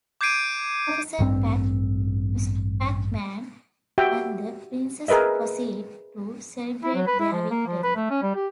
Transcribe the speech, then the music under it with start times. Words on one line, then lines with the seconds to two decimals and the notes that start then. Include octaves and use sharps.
Professor Pac, Ms. Pac Man, and the princess proceed to celebrate their victory.
0.21 D6 G6 G#6 C7 D7 D#7
1.19 A1 G2 C4
3.98 F#4 G4 E5 G5
5.08 G#4 A#4 B4 D#5 E5
6.83 E4
6.95 F#3
7.07 B4
7.20 E4
7.32 F3
7.51 A#3
7.67 F3
7.83 B4
7.96 A3
8.10 C#4
8.22 G3
8.35 G4